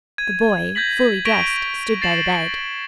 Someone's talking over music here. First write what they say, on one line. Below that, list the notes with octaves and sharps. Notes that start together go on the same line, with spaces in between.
The boy, fully dressed, stood by the bed.
G#6 D#7
G6 G#6 A#6 B6 F#7
C#6 A#6 B6 D7 F7 G7
A6 C7 E7 F#7